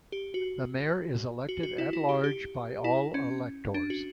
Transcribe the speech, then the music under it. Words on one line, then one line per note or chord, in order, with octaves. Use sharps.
The mayor is elected at large by all electors.
G4
F#4
F#4
F#4
E4
E4
G4
G4
E4
C#4
D4
F#4